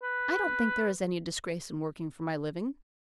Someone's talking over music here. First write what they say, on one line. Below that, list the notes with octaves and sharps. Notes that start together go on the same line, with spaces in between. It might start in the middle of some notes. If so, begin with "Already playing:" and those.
I don't think there is any disgrace in working for my living.
B4